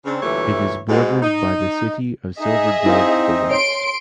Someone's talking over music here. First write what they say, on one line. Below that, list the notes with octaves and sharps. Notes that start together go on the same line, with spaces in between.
It is bordered by the city of Silver Grove to the west.
C#3 C4 D4
D2 A#2 E3 G3 A3 C#5
G#2 B2
D#4
D#4 G#4 D#5 E5
C4 D#4 E4 F5
C#5 C6 D7